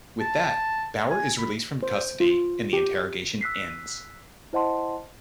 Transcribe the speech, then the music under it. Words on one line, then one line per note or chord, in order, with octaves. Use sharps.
With that, Bauer is released from custody and the interrogation ends.
A5
G#5
B5
C5
F4
G4
E6 F#6 B6 C7
E4 C5 D#5 F#5 A5 C6